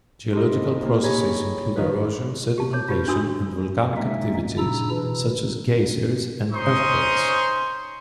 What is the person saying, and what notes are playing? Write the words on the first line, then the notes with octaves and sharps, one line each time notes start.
Geological processes include erosion, sedimentation, and volcanic activities such as geysers and earthquakes.
D#4 E4 G4 A4 C5
A#2 A#3
G4 G#4 C#5 A#5 B5
D#3 F3 B4
G4 A5
C#5 D6
F4 G4 B4
D4 F#4 G#5 D#6 E6
G#3 A#3 C#4 D#4 E5
A#2 C#3 D4 E4 A#5 E6
B2 E3
C#4 D#4 C5 C6 C#6 D#6